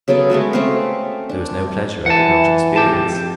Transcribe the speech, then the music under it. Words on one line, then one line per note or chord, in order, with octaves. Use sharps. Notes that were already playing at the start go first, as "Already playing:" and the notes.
There was no pleasure I did not experience.
C#3 F#3 B3 A4
G#3 A3 B3 F#4
A3 C4 C#4 F5
D4
E3 F#5 A5
F2 G4 A5